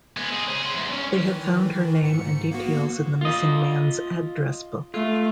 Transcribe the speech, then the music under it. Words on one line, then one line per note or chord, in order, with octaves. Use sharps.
They have found her name and details in the missing man's address book.
G#3 B3
C4 G#4
C#3 G#4
F#5 C6
E2 G#2
C#4
D#3 E3
G#2 C#7
A#3 B3 F#4
F4 D#5
A3 F4